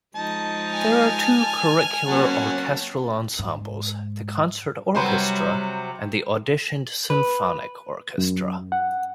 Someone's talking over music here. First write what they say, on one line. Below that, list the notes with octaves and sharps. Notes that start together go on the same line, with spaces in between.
There are two curricular orchestral ensembles, the Concert Orchestra and the auditioned Symphonic Orchestra.
F3 G#3 D#4 A5
G#5 F6
F#3 A#3 C4 C#4 F#5 A5
G#2
C3 F#3 G3 B4 C5 C6
B4
F#2
F#5